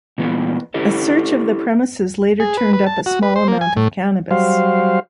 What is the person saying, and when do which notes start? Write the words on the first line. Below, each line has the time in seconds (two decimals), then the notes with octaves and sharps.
A search of the premises later turned up a small amount of cannabis.
0.18 A#2 E3 B3
0.74 E4 G4 A4 D#5
2.40 G#4
2.57 B4
2.73 B4
2.86 A5
3.06 F#4
3.23 B4
3.36 C5
3.48 A#3
3.61 G#5
3.77 A2
4.31 F#3 G3 C5 F5